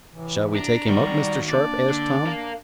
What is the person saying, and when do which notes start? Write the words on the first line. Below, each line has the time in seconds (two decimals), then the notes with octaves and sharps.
"Shall we take him up, Mr. Sharp?" asked Tom.
0.13 A2 C3 E3
0.55 D4 A#5
0.88 D#3 G3 F#4 D5
1.47 A#3 D4 D5
1.90 D3
2.26 A#4 F5